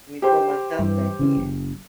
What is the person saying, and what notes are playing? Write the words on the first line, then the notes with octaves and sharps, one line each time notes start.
let me pull myself back in."
G4 C5 G5
G2 E3
C#3 E3 C#4
F#1